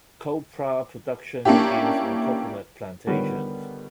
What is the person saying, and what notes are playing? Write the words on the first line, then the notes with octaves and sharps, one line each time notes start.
Copra production begins on coconut plantations.
A#3 C#4 D4 E4 G4
D3 D#3 G3 B3 F4 C#5